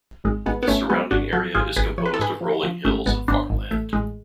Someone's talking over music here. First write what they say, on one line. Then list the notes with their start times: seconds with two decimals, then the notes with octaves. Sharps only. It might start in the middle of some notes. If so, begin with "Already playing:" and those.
The surrounding area is composed of rolling hills and farmland.
0.24 G#1 G#3
0.46 G#1 G#3 B3
0.63 B3
0.68 G#1 A3 C#4
0.89 F#3 G#3 B3
1.11 G#1 D4 F#4
1.33 F#3 F#4 A4
1.55 G#1 F4 G#4
1.76 G#1 G#4 B4
1.98 F3 C#5
2.06 B4
2.14 A4
2.19 G#2 G#4 B4
2.41 F3
2.64 F3
2.85 G#1 A3 C#4
3.06 G#1 G#3 B3
3.28 G#1 B3 D4
3.50 G#1
3.71 A1 A3
3.93 A1 G#3